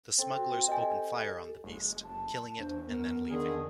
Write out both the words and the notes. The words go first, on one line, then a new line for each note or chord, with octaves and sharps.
The smugglers open fire on the beast, killing it and then leaving.
C4 A4
F#4
G4 A4 D#5 G#5
F#1 G#3
A5
E2 D4 C5
B3 A#4
D3 D#3 G#4